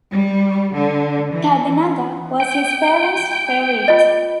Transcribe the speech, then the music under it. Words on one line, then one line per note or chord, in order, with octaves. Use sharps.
Tadanaga was his parents' favorite.
G3
D3
E3
G5
F4 D#5